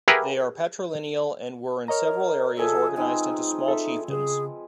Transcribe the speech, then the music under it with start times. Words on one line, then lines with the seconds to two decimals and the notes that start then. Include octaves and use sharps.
They are patrilineal and were in several areas organized into small chiefdoms.
0.08 G4 G#4 A#4 B4 E5 F#5
1.88 A#4 C#5 D#5 A#5
2.57 F3 G#4 A4 E5
2.97 G#3 C4 D#4 B4
3.68 A4 E5
4.08 C#3 G#4